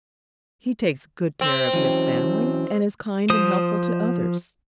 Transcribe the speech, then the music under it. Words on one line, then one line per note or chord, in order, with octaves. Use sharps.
He takes good care of his family, and is kind and helpful to others.
C4
E3 F#3 C#4
F3 C5 D#6